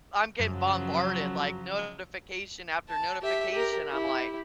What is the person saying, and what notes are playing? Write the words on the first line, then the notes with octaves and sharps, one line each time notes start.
I'm getting bombarded, like, notification after notification, I'm like
F#2 C#3 F3 F#3
A5
G4 E5
G4 A#4
E4 G4